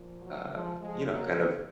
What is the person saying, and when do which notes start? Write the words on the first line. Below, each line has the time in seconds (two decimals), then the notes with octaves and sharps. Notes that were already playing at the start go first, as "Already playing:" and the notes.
uh, you know, kind of,
Already playing: A#2 F3
0.21 F#3
0.52 F3 G#3
0.81 F3 G#3
1.11 C3 D#3 F#3 A#3